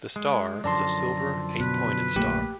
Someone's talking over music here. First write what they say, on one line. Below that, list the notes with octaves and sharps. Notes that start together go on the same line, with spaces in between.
The "star" is a silver, eight-pointed star.
G#3
F#2 D3 F3 D5 A5 A#5 C6
B2 B4
A#1 A3 A#3 G4